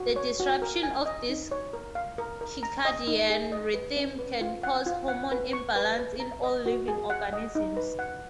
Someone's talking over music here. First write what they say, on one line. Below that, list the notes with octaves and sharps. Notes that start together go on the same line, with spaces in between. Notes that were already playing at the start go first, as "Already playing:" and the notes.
The disruption of this circadian rhythm can cause hormone imbalance in all living organisms.
Already playing: F#4
C#5
F#4
A#4
G#5
D#5
D#4
C#5
A#4
F5
A#4
A#4
A#5
D#5
D#4
G#4
D#5
B4
C#4
B4
F4
F#5
F4
F#5
B4
C#6
B4
B4
A#5
D#5
F#4
G#4
F#5
D#5
D#4
B4
F#5